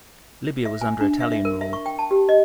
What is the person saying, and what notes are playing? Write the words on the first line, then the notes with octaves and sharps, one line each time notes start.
Libya was under Italian rule.
E5
G#5
D4
E5
E5
A#4
E5
C#6
G5
A5
G4
D#5